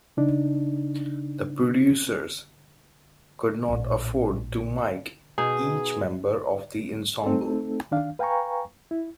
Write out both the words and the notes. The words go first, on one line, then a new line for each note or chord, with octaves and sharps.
The producers could not afford to "mike" each member of the ensemble.
C#3 D4 D#4
A#1 A2
B2 D#4 G#4
A3 C4 D#4 A4
D#3 D4 F5
B4 F5 G5 G#5 A#5 C#6
E4